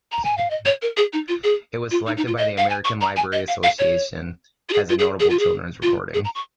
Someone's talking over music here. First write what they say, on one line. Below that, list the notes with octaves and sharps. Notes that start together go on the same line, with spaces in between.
It was selected by the American Library Association as a Notable Children's Recording.
A#5
G#5
F5
D#5
C#5
A#4
G#4
D#4
F4
G#4
F4
D#4
D#4
F4
D#5
F5
G#5
C#6
A#5
G#5
D#5
F5
F5
C#5
F4
G#4
F4
G#4
G#4
F4
G#4
F4
G#4
A#5
C#6